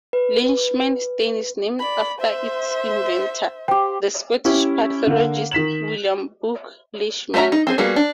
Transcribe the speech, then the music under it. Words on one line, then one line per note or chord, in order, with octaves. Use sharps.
Leishman stain is named after its inventor, the Scottish pathologist William Boog Leishman.
B4
D5 B5
C5 E5
G4 C5 G5
C#4 E4 G4
D3 A#3
D#3 B6 E7 F#7
A3 C#4 A#4 E5 A#5
D#4
C4 G#4 C5
G3 A#3 B3 F#4 G#4
D4